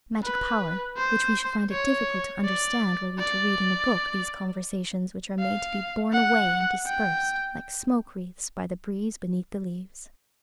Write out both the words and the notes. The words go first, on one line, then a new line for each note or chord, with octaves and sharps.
Magic power which we should find it difficult to understand were we to read in a book these conversations which are made to be borne away and dispersed like smoke wreaths by the breeze beneath the leaves.
B4
C5
C#5
D5
D5
F5
F#5
G5